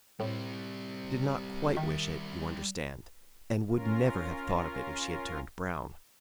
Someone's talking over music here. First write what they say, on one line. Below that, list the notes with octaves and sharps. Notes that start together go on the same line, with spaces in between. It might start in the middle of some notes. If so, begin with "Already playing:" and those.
She did not quite wish it, you understand, and would never have thought of it if she had turned brown.
A2 G3 C4
D#3 G3 E5
C#4 F4 A#4